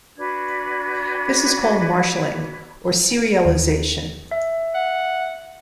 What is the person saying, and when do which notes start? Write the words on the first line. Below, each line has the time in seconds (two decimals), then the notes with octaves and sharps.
This is called marshalling or serialization.
0.18 D4 F#4 B4 G#6
3.45 D#2
4.31 E5
4.74 F#5